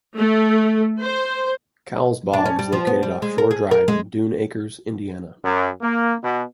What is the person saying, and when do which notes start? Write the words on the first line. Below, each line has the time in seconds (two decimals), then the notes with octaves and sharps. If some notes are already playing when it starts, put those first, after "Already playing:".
Cowles Bog is located off Shore Drive in Dune Acres, Indiana.
0.16 A3
1.01 C5
2.33 D4
2.45 C#4
2.59 G3
2.72 F3
2.87 B3
3.03 G3
3.22 G#3
3.38 A#4
3.51 G#4
3.71 A#4
3.88 G#3
5.43 F#2
5.81 A#3
6.23 B2